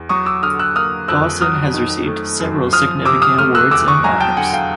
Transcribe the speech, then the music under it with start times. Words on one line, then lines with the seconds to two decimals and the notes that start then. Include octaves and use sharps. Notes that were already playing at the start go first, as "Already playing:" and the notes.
Dawson has received several significant awards and honors.
Already playing: E2
0.09 F#3 C#6 D#6
0.26 D6 E6
0.43 D3 D#6 F6
0.59 E6 F#6
0.75 A#3 D#6 F6
1.08 F2 E6 F#6
1.41 F#3 D#6 F6
1.74 D#3
2.07 A3
2.40 F#2
2.73 F3 D#6 F6
3.05 C3 D6 E6
3.22 D#6 F6
3.38 A3 D#6 F6
3.55 E6 F#6
3.71 E2 D6 E6
3.87 C#6 D#6
4.04 F#3 G#5 A#5
4.20 G5 A5
4.37 D3 F#5 G#5
4.53 F5 G5